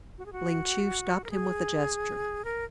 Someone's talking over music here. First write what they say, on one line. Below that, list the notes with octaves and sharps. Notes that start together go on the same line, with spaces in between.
Ling Chu stopped him with a gesture.
F#4
G#4
F#4
A#4
G#4
A#4